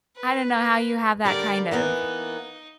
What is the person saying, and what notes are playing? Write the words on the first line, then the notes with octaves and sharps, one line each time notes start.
I don't know how you have that kind of
B4
D3 G3 A#4 D5
E3 A#3 B3 D#4